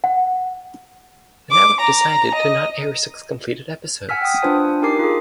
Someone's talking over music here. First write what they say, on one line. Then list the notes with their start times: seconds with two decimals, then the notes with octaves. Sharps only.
The network decided to not air six completed episodes.
0.04 F#5
1.52 D6
1.80 A#5
2.34 D#5
4.09 F#5 G#5 E6 F6 B6
4.21 G5 D#6
4.43 D4 F4 B4 C5 G#5
4.82 D#4 G4 A#4 G#5 D6 C7
4.99 F4 G#4